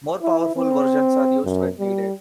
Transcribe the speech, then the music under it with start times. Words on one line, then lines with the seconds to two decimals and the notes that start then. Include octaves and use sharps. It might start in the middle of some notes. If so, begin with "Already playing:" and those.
More powerful versions are used when needed.
0.22 E4
0.56 C4
1.44 F#2
1.79 G3